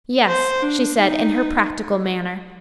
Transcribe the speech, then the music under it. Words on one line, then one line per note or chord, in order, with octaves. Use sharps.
"Yes," she said, in her practical manner.
C5
D4
D#4